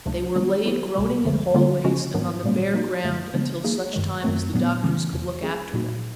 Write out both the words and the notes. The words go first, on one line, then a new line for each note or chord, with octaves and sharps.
They were laid groaning in hallways and on the bare ground until such time as the doctors could look after them.
C#2 C3 F3 A3 D4
D#3 G3 B3 D4
F#3 B3 E4 G4 C5
C2 B2 G3
F2 D3 F3 A3
D3 G3 A#3 C#4 F4
C#3 F3 G#3 C#4 F#4
G#2 D#3 F#3 B3 D4
A#2 G3 A#3 C#4
F#3 A#3 D#4 F#4
F#2 D3 F#3 A3
C#3 E3 G#3 B3 D4
F#3 A#3 D#4 G#4
G2 D#3 G#3
F#2 D#3 F#3 A3 C4
A#2 F#3 B3 D4
C#3 E3 A3 C#4
E2 C3 E3
F#3 A3 C#4 F4 G#4
A#2 F#3 A#3 D#4 F#4